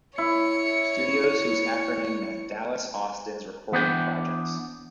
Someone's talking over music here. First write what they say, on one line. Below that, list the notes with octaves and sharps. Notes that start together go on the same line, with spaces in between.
Studios, whose acronym meant "Dallas Austin's Recording Projects".
E4 C#5 C#7
E3 B3 D4 G5